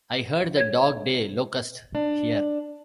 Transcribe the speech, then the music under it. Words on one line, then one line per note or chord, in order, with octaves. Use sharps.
I heard the dog-day locust here.
C#5 G#6
D4